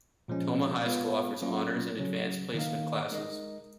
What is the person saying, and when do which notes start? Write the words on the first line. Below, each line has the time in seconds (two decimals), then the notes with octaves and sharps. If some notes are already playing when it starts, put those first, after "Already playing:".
Tomah High School offers honors and advanced placement classes.
0.28 A#2 F3 G#3 C#4
0.85 G#3 B3 F4 B4 F5
1.42 F#3 A#3 C#4 F4
1.98 C#3 F#3 C#4
2.54 D#3 A#3 D#4 A#4 F5
3.12 G#3 D#4 A#4 D#5